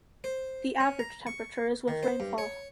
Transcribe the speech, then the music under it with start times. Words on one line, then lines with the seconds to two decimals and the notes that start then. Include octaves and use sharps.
The average temperature is with rainfall.
0.24 C5
0.80 C#4
0.99 A#5
1.27 C#6
1.88 D#3
2.03 C5
2.20 G2
2.38 C#5